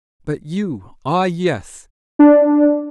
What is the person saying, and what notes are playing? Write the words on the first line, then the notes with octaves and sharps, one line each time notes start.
But you,--ah, yes!
D4